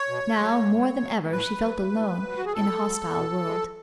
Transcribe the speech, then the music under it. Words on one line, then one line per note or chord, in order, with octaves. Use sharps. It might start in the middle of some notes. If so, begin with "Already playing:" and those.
Now, more than ever, she felt alone in a hostile world.
Already playing: C#5
B2
F#3
A2
F#3
A2 B4
F#3
A2
F#3
F#4
G#4
A2 A4
F#3
B2
G#3